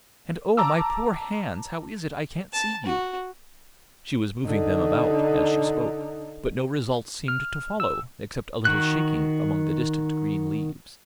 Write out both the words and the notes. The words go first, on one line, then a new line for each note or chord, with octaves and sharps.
And oh, my poor hands, how is it I can't see you?' She was moving them about as she spoke, but no result seemed to follow, except a little shaking among the distant green leaves.
A5 A#5 D6 E6
A5
F#4
D3 D#4
F6
E6
D#3 F#4 F#6